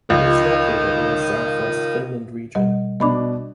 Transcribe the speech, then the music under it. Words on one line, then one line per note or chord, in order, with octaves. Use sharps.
It is located in the Southwest Finland region.
C#2 F3 A#4 D#5
B2 G3 D#5
B2 D4 D#5 B5 D6